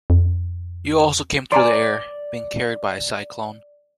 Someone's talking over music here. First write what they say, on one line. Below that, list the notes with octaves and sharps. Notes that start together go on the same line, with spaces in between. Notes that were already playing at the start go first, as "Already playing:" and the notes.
You also came through the air, being carried by a cyclone.
F2
D5 G#5 A#5 C6